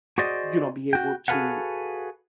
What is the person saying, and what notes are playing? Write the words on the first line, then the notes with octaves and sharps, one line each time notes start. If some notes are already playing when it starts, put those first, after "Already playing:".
you know, be able to
F#4 G#4 C5 D5 D#5
F#4 G5
F#4 G#4 A4 B4 F5 F#5